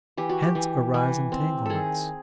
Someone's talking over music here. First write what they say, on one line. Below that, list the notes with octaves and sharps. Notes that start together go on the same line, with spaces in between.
Hence arise entanglements.
E3 G4
F#4
G4
E3
E3
C4
D#3 G#4 A4